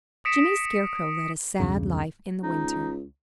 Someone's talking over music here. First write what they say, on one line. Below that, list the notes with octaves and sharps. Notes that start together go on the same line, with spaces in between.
Jimmy Scarecrow led a sad life in the winter.
D#6 A#6 B6 C#7 D7 E7
B1 E2 G2 C#3
C#2 D#4